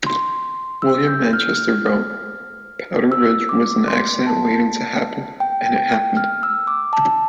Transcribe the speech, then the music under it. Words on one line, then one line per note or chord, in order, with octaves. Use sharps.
William Manchester wrote: Powder Ridge was an accident waiting to happen, and it happened.
C6
E6
G6
F6
E6
D6
C6
A5
G5
G5
G5
F6
E6
D6
A5